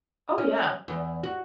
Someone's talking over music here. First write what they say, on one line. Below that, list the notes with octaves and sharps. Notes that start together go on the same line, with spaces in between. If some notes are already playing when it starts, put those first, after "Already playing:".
Oh, yeah.
C#4
E2
F#4